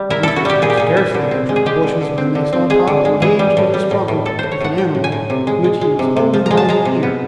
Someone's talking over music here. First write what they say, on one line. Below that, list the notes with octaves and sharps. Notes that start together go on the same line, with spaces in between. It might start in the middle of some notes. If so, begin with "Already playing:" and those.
The hunters had scarcely entered the bushes when they saw Top engaged in a struggle with an animal which he was holding by the ear.
Already playing: G3
E4 A#4
E4 A4
F#4
G3 G4
A#2 G#4
G4
A#2 G#4
E4
D3
C4
G#3
G#4
G#3 G4
D3
D3
C4
D3
C4
G#3 G#4
D3
G#3
E3 G#4
G3
A2
G3
A2
A2
A2 A4
A2 C5
C#5
A2 F#5
A2 G5
A2
G#5
A2
C3
G#3
G#3
G#3
C3
C3
F3
G#3 A#5
A5
G#3 A#5
C3
B3